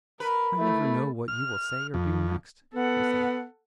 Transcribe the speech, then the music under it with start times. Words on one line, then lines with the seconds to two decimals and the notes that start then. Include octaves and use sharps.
"I never know what you will say or do next," she said.
0.20 A#4 B4
0.58 A3 E4
1.28 F6
1.94 F2
2.74 B3 A4 F#5